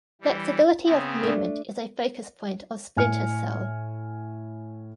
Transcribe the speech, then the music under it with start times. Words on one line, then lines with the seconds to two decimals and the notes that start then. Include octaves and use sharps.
Flexibility of movement is a focuspoint of "Splinter Cell".
0.21 E3 G3
0.85 C#3 B3 C4
1.23 A3 D4
2.97 A2 G#5 F6 C#7